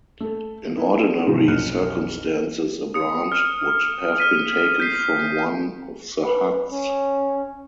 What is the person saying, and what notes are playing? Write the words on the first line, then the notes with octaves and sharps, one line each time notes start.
In ordinary circumstances a brand would have been taken from one of the huts.
A3 A4
B3 C4 E4
G#2 C3 D#3 F3 F#3 G4
B1 F2 C#4 F6 F#6 C#7
D#6 C#7
F6
F6 B6 D#7
G6 B6 C7
B4
C#4